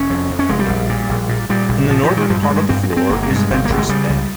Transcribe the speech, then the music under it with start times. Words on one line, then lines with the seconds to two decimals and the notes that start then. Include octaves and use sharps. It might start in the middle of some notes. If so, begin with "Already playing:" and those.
In the northern part of the floor is Ventris A.
Already playing: F1 C#4
0.10 F2
0.30 F2
0.39 C#4
0.49 F1 G#3
0.59 G3
0.69 A#1
0.89 A#2
1.09 A#1
1.29 A#2
1.49 A#2 G3
1.69 A#1
1.89 A#2 F3
2.03 F3
2.10 A#2
2.17 D#3
2.30 G2 F3
2.43 G#3
2.50 G2
2.56 G#3
2.69 G2 C4
2.83 C4
2.89 G2
2.97 C4
3.10 G1 A#3
3.23 A#3
3.30 G2
3.36 G#3
3.50 G1 C4
3.65 G1 A#3
3.78 G#3
3.89 C#3 G3
4.10 C#2